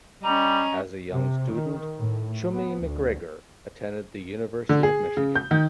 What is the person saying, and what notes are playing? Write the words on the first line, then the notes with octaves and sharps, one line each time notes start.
As a young student, Chummy MacGregor attended the University of Michigan.
G3 C#4 D#5 A#5
C3
D#3
A2
B3
D2
D3
G#4
C#3
G6
D#3